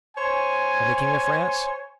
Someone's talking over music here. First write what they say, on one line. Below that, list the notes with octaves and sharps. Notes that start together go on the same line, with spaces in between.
"From the king of France?"
C5 C#5 G#5